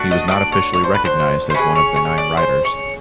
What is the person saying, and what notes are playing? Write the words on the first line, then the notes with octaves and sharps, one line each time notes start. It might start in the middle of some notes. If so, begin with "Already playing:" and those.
He was not officially recognized as one of the nine riders.
Already playing: A3 D4 F#4
D#5
D#5
D5
C#5
C#5
C5
B4
C5
C5
C#4 F4 G#4 B4
C#5
C#5
D5
C5
C#5